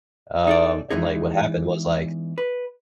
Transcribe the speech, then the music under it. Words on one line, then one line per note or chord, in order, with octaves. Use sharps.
um, and, like, what happened was, like,
D#4 A4 D5
E2 E3 G#3 D#4 G#4
B4